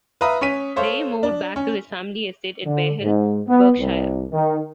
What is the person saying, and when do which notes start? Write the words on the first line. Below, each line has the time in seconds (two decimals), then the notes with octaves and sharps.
Day moved back to his family estate at Barehill, Berkshire.
0.21 B4 E5 F5 A#5 D#6
0.41 C#4 C#5 B6 D#7
0.76 A4 C5 C#5 F5
1.23 D4
1.56 C#4
2.66 D3
3.00 G#2
3.47 B3
3.79 C2
4.31 D#3